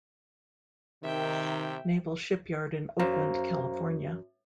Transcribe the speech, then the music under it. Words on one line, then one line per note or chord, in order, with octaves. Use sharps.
Naval Shipyard in Oakland, California.
C3 D#3 E5 G5
F#2 C5 F5 A#5